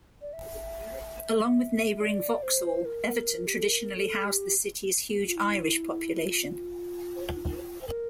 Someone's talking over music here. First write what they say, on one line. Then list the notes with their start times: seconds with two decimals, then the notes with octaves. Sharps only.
Along with neighbouring Vauxhall, Everton traditionally housed the city's huge Irish population.
0.21 D5
0.33 E5
2.00 D5
2.42 C5
2.85 A#4
3.47 G4
3.57 A4
3.68 A#4
3.96 A4
4.24 G4
5.28 F4
5.36 E4
6.21 F4
7.81 C5
7.88 A#4